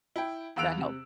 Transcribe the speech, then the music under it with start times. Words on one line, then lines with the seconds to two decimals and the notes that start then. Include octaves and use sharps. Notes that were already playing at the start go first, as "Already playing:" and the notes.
that helped.
0.16 E4 G5
0.56 E2 F5 E6 F#6 D7 F7
0.78 C3